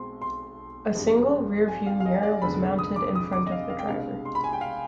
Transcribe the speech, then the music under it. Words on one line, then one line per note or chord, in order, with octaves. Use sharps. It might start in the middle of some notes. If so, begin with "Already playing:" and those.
A single rear view mirror was mounted in front of the driver.
Already playing: B1 B2 G#3 C4 C6
C6
G#1 G2 F3 G#3
G#5
F5
F5
D#5
D5
F1 F2 D3 G#3 B3 B5
D#6
D6
D#6
D6
D#5
F5
F5
G5
C2 B2 G#3 D4 F5
C6
B5
G#5
G5
F5